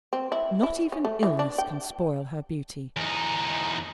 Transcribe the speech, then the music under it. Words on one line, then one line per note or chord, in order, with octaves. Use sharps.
"Not even illness can spoil her beauty!"
C4
E4
E4
C#4
A3
E3
D4
G5
E2 D#4